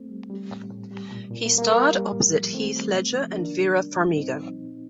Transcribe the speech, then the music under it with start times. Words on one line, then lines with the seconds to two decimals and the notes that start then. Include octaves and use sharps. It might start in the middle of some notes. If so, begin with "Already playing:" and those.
He starred opposite Heath Ledger and Vera Farmiga.
Already playing: A3 C4
0.09 G3
0.30 G3
0.51 A2
0.71 A2
0.91 G3
1.11 A#2
1.31 A#2
1.46 A#3
1.52 G3
1.58 A#3
1.72 G3 A#3
1.93 G3
2.13 A2
2.34 F3
2.53 D#3 A3 C4
2.74 G3
2.95 C3
3.15 F3
3.35 D#3 A#3 D4
3.56 C3
3.76 G3
3.96 G3
4.16 A2 C4 D#4
4.37 F3
4.58 A#2